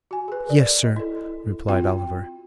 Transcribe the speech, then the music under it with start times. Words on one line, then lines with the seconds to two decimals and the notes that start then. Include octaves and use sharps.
'Yes, sir,' replied Oliver.
0.11 F#4 G#5
0.28 G#4 B4
0.47 A#4 D5
0.83 D#5
0.96 E4 A4
1.68 C4 F4 F#4 G5